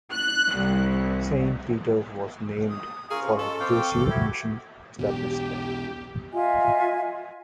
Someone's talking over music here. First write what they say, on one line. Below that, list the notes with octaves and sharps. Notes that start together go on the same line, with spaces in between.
Saint Peters was named for a Jesuit mission established there.
F#6
C2
D#6
C#4 F4 G#4 A#4 F5 C#6
C3
A4 D#5 A5
C4 F5 G5 C#6 D6
E4 F#4 G4 E5 G#6
B1 E2 B2 G4
F4 D#5 E5 G#5